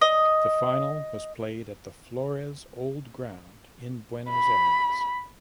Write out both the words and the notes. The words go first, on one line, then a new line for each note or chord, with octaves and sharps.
The final was played at the Flores Old Ground in Buenos Aires.
D#5
B5